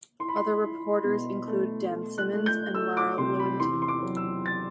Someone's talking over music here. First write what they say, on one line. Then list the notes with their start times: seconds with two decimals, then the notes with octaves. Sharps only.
Other reporters include Dan Simmons and Lara Lewington.
0.19 E4 C6
0.28 B5
0.36 C6
0.63 E4
1.04 B2
1.48 A3
1.90 A3
2.18 F#6
2.33 A3
2.46 G6
2.74 A3 E6
2.97 D6
3.18 C3 C6
3.40 B5
3.60 E2 C6
3.82 C6
3.88 D6
4.03 F#3
4.17 E6
4.46 A6